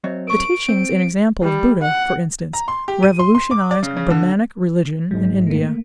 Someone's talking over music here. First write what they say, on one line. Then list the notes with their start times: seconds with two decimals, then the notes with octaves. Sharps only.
The teachings and example of Buddha, for instance, revolutionized Brahmanic religion in India.
0.04 F#3 C4 C#5 D#5 E5
0.27 A#4 C#6 D7
0.69 C4
1.42 G3
1.82 F#5
2.53 A#5
2.68 C6
2.88 G4
3.03 D#7
3.19 C6
3.35 C6
3.51 D6
3.71 D5
3.83 C#3
3.97 C#3
4.10 D3
5.11 G1 G#2 F#3 G#3
5.47 A3 A#3